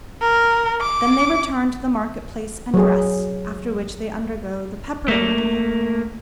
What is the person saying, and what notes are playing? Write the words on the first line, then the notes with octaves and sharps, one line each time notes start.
Then they return to the market-place and dress, after which they undergo the pepper ordeal.
A#4
D6
F#3 G#4
A3 A#3